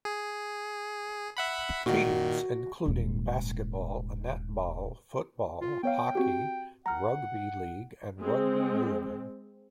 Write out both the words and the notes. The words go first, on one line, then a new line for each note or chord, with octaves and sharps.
Teams include: Basketball, Netball, Football, Hockey, Rugby League and Rugby Union.
G#4
E5 F#5 B5
A#2 D#3 F#4
D#1 G#2
F4
B3 C#5 F5 G5
C4 F#4 G4
F#5 A#5 F6
G#3 C4